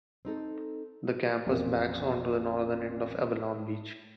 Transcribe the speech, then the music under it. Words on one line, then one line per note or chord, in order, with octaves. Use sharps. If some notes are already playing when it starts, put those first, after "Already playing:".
The campus backs onto the Northern end of Avalon Beach.
C4 D#4 A4
A1 F2 A#2